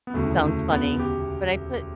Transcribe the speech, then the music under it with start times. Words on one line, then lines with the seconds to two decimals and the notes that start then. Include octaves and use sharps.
sounds funny, but I put
0.07 B3
0.13 E1 D2 C#3 E3 A3
0.43 A3
0.71 B3
1.00 G4